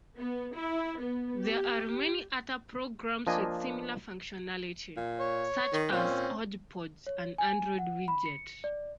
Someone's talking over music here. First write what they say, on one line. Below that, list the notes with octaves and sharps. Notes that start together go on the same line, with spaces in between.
There are many other programs with similar functionality, such as HodgePodge, an Android widget.
B3
E4
B3
G4
F3 A#3 D4 D#5 G#5
A#2
C#5
D#3
A#2 C4 C#4
C#5
G#5
F#5
B5
C#7
D5